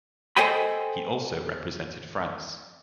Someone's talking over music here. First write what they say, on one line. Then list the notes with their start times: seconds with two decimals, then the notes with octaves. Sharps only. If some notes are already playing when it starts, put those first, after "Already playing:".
He also represented France.
0.36 A4 C5 D#5 G5 G#5 B5